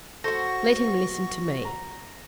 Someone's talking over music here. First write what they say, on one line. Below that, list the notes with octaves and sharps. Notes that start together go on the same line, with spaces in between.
Let him listen to me.
F#4 A4 C5 C#6 A#6
A#5